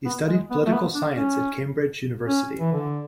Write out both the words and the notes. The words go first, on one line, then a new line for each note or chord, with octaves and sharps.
He studied political science at Cambridge University.
B3
G#3
B3
A3
B3
D4
C#4
C#4
E3
D3